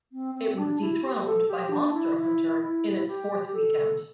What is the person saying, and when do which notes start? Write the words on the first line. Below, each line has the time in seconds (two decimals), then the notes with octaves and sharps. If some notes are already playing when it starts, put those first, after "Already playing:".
It was dethroned by "Monster Hunter" in its fourth weekend.
0.12 C4
0.35 C4
0.48 C4
0.57 D4
0.81 E4
1.03 G4
1.25 A4
1.48 G4
1.71 D4
1.93 E4
2.17 E4
2.62 E4
3.08 G4
3.53 A4